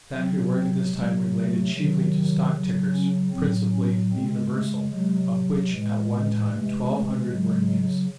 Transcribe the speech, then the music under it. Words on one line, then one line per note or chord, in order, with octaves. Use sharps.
The factory work at this time related chiefly to stock tickers, principally the "Universal," of which at one time twelve hundred were in use.
C3 F#3 C4
C4
C3 F#3 G#3
A3
C3 D#3 F#3
C#3 F#3
C#4
A2 F#3 C4
C#4
C#3 G#3 C4
A3
C3 F#3 G#3
A2 E3 G#3
C3 E3 G#3 A3
A3
C#3 F#3 G#3